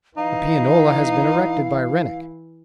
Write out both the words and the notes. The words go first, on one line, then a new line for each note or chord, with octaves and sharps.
The pianola has been erected by Rennick.
E3 D#4 E4 F5